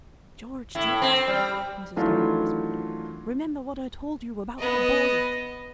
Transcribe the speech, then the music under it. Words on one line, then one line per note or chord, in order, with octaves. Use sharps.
"George, George," Mrs. Darling whispered, "remember what I told you about that boy."
A2 E4
C4
G3
D#3 E3 F#3 A3 D4 F4
B3 D#5